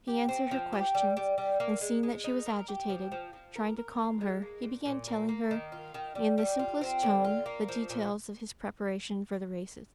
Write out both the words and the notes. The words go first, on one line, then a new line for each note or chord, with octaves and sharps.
He answered her questions, and, seeing that she was agitated, trying to calm her, he began telling her in the simplest tone the details of his preparations for the races.
G4
C4
F3
G4
G3
G3
G3
A#3
G#3
G#3
D#4
A#4
G4
F3
F3
F3
A#4
A#4
F4
G#3
A#3
A#2
A#2
A#3
A#3
D#3
F4
D#3
G3
G3
F4
C4
D3
F4
A#3
F3
A#2